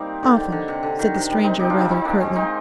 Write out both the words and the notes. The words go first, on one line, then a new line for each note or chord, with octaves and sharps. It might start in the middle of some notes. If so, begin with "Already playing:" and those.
'Often,' said the stranger rather curtly.
Already playing: G3 A#3 C4 D#4
D3
D#3
D3
C3
D3
D#3
C3
G3
C4 D#4
D#4 G4
D4 F4
C4 D#4
C4 D#4
A#3 D4
G#3 C4
C4 D#4